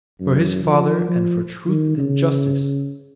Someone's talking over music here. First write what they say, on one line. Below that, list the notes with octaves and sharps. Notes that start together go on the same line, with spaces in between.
For his father and for truth and justice.
F#2
F3
F3
D#3
C#3